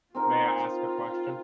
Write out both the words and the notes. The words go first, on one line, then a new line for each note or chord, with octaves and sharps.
May I ask a question?
C4 D#4 F4 A#4 F5